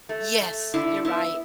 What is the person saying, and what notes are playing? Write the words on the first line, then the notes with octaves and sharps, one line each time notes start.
Yes, you're right.
A3
A3
D3 E4
B3 E4